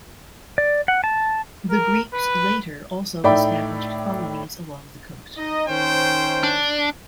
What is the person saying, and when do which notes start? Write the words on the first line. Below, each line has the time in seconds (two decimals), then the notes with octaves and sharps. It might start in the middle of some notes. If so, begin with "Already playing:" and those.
The Greeks later also established colonies along the coast.
0.58 D5
0.88 F#5
1.04 A5
1.70 A#4
2.14 B4
3.24 A2 D#4 D5 E5 G5 B5
5.37 D#4 D#5
5.68 D#3 C#4 C5 G5
6.43 D4